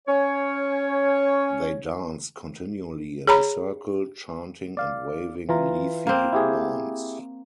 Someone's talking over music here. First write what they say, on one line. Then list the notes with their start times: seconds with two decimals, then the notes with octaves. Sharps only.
They danced continually in a circle, chanting and waving leafy wands.
0.08 C#4 C#5
3.27 G#4 C#5 A#5 B5
4.77 D5 F5
5.49 E3 F4 A#5
6.07 A#3 C4
6.33 E4 G4 G#4